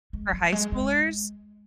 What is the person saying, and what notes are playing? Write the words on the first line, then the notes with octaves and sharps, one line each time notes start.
for high schoolers
G#3
F#3
G#3
G#3